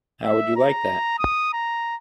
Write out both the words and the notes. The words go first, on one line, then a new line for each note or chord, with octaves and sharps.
How would you like that?
E5
A#5
D#6
A#5